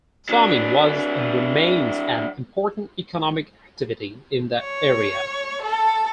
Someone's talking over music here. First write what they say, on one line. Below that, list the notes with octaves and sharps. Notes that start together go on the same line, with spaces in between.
Farming was, and remains, an important economic activity in the area.
F#3 D4
C#5
A4